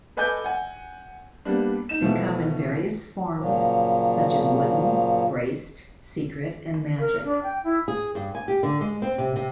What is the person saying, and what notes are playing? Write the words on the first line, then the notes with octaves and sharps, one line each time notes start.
They come in various forms, such as Wooden, Braced, Secret, and Magic.
A4 B4 D#5 G#5 D6 G6
F#5 G#5
G3 A#3 B3 D4
D#4 E7
B2 E3 F3 A3 B3
A#2 C#3 F3 F#3
A#4
D4
G5
E4
G#4
G2
G#5
G4
D3
G#3
C4
C3
C3